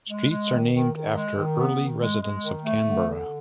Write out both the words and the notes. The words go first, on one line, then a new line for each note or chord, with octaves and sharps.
Streets are named after early residents of Canberra.
G#3
G#3
D#3
D#3
D#3
G#3
D#3
B3
D#3
G#3
G#3
D#3
A3
D3
D3